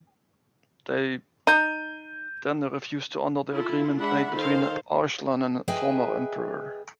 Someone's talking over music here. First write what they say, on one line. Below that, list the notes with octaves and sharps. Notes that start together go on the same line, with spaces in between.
They then refused to honor the agreement made between Arslan and the former emperor.
D#4 G6 D#7
E4 F4 A4
G#3 D4 E5 F#5 B5
D#3 A4 C5 F5
G#4 B4 D#5 E5 G5 G#5